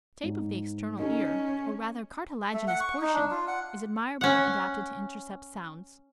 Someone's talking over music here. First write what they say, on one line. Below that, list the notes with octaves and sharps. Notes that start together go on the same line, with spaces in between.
The shape of the external ear, or rather cartilaginous portion, is admirably adapted to intercept sounds.
G#2
C#4 D#4 A4 D#5
A3
F#5
C#6
D#4
D4
F4
F#5
C#4 F#5